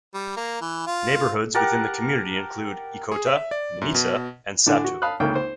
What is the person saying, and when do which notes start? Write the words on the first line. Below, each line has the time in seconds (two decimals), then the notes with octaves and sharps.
Neighbourhoods within the community include Ekota, Menisa and Satoo.
0.14 G3
0.37 A#3
0.61 E3
0.87 F4
1.54 G4 A#4 F#5 A5
3.12 G#4
3.27 E5
3.51 D5
3.81 F#2
3.95 B2
4.66 A2 D3 D4 F#5 G#5
4.84 F#4
5.02 F5 A5 B5 D#6 F6 F#6
5.20 G#1 C#2 D3 A#3 G5 F6
5.35 C5